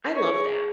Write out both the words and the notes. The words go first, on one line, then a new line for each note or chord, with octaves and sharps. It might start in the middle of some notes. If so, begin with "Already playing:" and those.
I love that
A#4 C#5
G#4
G#4
G#4